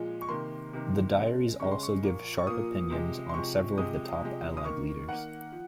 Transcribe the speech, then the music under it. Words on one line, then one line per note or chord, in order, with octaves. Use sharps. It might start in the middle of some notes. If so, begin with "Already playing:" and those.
The diaries also give sharp opinions on several of the top Allied leaders.
Already playing: A#2 F3 G#3
C#6
C3 D#3 A#3 C6
C3 D#3 A#3
C#3 G#3
C#3 G#3 C#6
C6
C#6
A#2 F3 A#3
C#6
A#2 F3 A#3 D#6
C3 F3 G#3
C6
C3 F3 G#3 C#6
C3 F3 G#3 D#6
C3 F3 G#3
D#6
D#3 A#3 C#6
D#3 A#3 F#5
F3